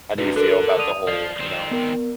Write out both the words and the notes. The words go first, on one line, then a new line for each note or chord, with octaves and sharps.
how do you feel about the whole, you know,
D2 C3 D4 F#4 B4
D3 D4 A4 A#4 F#6
D5 D#6 D#7 F7
F3 D5 C7
D#3 C4
B3 A#4